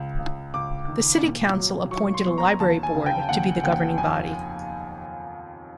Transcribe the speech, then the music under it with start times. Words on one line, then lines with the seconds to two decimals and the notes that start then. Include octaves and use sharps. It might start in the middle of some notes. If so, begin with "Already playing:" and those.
The City Council appointed a Library Board to be the governing body.
Already playing: C#2
0.19 C#2
0.54 C#2 D6
0.88 D#3
1.22 A#2
1.57 F#3
1.91 F#3 C#6
2.14 C6
2.26 B3
2.38 A#5
2.59 D#2 A5
2.83 G#5
2.95 C#3
3.06 G5
3.29 D#2 F#5
3.64 D#2 G5
3.98 F2 G#5